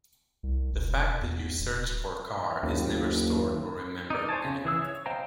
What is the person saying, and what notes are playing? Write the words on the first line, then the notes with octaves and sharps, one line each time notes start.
The fact that you searched for “car” is never stored or remembered anywhere.
C2
E1
E2
D1
F#1 D#2
D#4 D5
C5 C#5 G#5 A5
C#3
E3 G#4 E6
C#5
C5 D#5 F5 G5 A#5